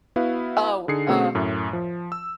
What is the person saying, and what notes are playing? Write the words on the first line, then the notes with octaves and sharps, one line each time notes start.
Oh, uh,
B3 E4 F#4 B4 F5
D3 D#4 G#4 C7 C#7
B2 A3 C4 C#4 F#4 G#4
F#2 A2
F3
E6